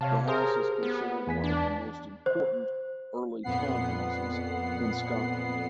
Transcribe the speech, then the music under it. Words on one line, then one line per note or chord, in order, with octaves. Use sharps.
The house is considered one of the most important early townhouses in Scotland.
C3 C#5 F5 A5
G4 G#4 A#4 C5
B3
E2 G#5 B6
D4
C5
F2 A#2 B3 F#5 C7